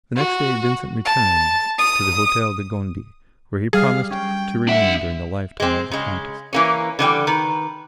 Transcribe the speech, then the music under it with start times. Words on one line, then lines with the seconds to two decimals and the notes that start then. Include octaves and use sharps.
The next day Vincent returned to the Hotel de Gondi, where he promised to remain during the lifetime of the Countess.
0.16 F#4
1.05 A5
1.79 D#6
3.73 G3 G#4 F5
4.10 C#4 G5
4.67 D4 E5 F#5
5.60 G#3 C4
5.92 C#3 G#3
6.53 E3 A#3 C#4
6.99 D3 E3 G3 G5
7.27 D#3 B4